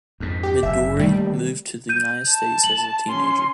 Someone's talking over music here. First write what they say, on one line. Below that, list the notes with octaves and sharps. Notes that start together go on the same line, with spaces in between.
Midori moved to the United States as a teenager.
F2 G#2
G4
F#1 F#2 E5
D#3 G3 A3 A#3
G6 D#7
A5
F#7
C#4 C6